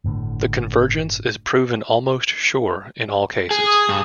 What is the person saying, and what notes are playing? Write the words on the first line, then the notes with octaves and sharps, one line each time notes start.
The convergence is proven almost sure in all cases.
G1 A2 D3
G#4
D#6
G2